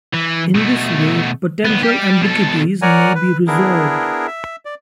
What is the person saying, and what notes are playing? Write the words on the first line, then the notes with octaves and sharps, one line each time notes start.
In this way potential ambiguities may be resolved.
E3
B2 A3
D#2 B3
G3 G4
B2 A4
A#4 C#5 D5 F#5 G#5 A#5
B4
B3 D4 E4 G#4 A#4
E5
D5